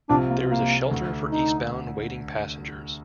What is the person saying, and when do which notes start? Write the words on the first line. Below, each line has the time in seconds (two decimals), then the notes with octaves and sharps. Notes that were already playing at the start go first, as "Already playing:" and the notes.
There is a shelter for eastbound waiting passengers.
0.09 C2 C3 F3 C4 D4 F4
0.30 A#3
0.50 A#3
0.91 D2 D3 A3
1.31 D#4